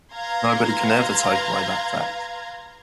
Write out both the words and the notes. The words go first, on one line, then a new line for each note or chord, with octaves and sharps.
Nobody can ever take away that fact.
B4 F5 A#5 C6 G#6 A#6